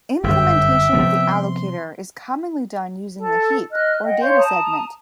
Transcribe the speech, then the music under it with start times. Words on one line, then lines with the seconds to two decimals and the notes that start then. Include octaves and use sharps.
Implementation of the allocator is commonly done using the heap, or data segment.
0.24 G1 F#2 E5 G5
0.93 C3 F3 B3
1.28 C6
3.19 A4 A5
3.71 D#5 F6 F#6
4.03 D#5 F#5 G5
4.21 C#5 F5 C6 G6
4.37 A5 A#5 D#6